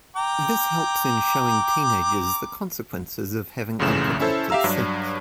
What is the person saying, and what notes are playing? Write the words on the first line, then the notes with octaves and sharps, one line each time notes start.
This helps in showing teenagers the consequences of having unprotected sex.
G5 A#5 D6
A#1 F#2 A2 C#3 E3 E7
C#4 E4 A4 C5
G4 E5 F5 A#5 E6
G2 F#3 D4